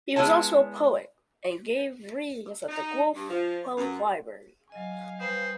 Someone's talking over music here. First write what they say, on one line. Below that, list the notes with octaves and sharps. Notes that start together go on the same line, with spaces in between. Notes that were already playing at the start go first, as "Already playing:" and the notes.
He was also a poet, and gave readings at the Guelph Public Library.
G#3 B3 E4 E5 G#5 A5
D#4
G2
F3
F#2
F#3 D#5 F5 G#5
G3 B4 C5 D#6